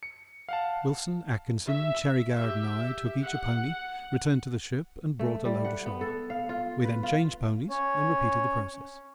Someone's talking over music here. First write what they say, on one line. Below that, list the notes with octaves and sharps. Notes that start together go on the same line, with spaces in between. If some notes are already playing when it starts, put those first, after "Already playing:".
Wilson, Atkinson, Cherry-Garrard, and I took each a pony, returned to the ship, and brought a load ashore; we then changed ponies and repeated the process.
C#7
F5 F#5 A5
E5
G4 E5
F#5
A3
G3
F#5
B3
A4
F5
F4
B4
F4
C#4 C#5